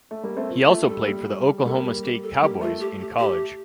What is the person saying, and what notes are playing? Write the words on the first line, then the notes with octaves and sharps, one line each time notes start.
He also played for the Oklahoma State Cowboys in college.
A3
G3 A#3
A3 C4
F4
A3 F4
G3 A4
G3
G3 A#3 A4
G4
G4
A4
G3 A#3 G4
A3 F4
G4
G4
G4